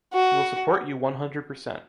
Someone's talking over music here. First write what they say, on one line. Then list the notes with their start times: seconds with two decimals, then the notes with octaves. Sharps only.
We will support you, one hundred percent!
0.13 F#4